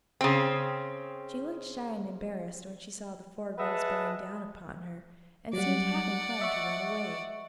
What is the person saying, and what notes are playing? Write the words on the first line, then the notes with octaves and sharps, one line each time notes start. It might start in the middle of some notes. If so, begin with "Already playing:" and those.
She looked shy and embarrassed when she saw the four girls bearing down upon her, and seemed half inclined to run away.
C#3 C4
G#4 B4 D#5 E5 F#5 A5
F#3 G3 D5 F#5
D#5 E5 C#6